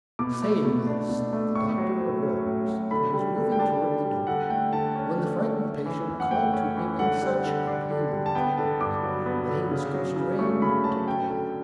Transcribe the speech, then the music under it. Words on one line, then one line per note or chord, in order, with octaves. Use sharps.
Saying this, the doctor arose, and was moving towards the door, when the frightened patient called to him in such appealing tones, that he was constrained to pause.
B2 D6
A3
B2
D4
B2
A3
A2 C#6
F#3
A2
C#4
A2
F#3
D3 B5
G3
D3
G5
D4 A5
D3
G3
D3 F#5
A3 G5
D3 A5
C#4
D3
A3
C#4
E3
F#2
F#5
A3 G5
C#4
E3
D3 F#5
G3 F#5
D3
D4
D3
G3
A5
B3 G5
D3 A5
G2 D6
F#3
B3
D3
C#3
F#3
C#3
A3 C#6
C#3 B5
F#3 A5
C#4 G5
D3